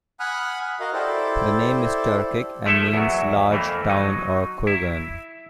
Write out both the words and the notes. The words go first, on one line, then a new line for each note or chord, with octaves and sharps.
The name is Turkic and means "large town or kurgan".
F#5 G#5 B5 D#6 F6 F#6
F#4 A#4 D#5 F5
E4 G4 A4 C5 D5
F3 A3 E4 A4 E5
E2 F#3
F2 E3 A3 A#3
F#3 D#4
E4